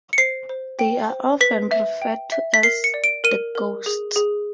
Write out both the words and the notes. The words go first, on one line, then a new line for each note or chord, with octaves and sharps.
They are often referred to as "the Ghosts".
C#7
C5 C7
C5
G5
C5
B4 B6
E5
G5
E5
B6
A#4 C7
C#7
D5
D7
A#4 D#7
A#4
G#4
G#4